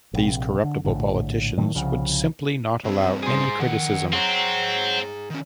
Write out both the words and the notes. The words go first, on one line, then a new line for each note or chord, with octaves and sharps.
These corruptible politicians would simply not allow any criticism...
A#1 C3
D3
A#1 A2 D3
A2 D#3 F#3 A3
C2 C#3 F3
G2 C4
G#4 C5
D#3 F3 F#5
C4 G#4 C#5 F#5 A#5
D#3 C#4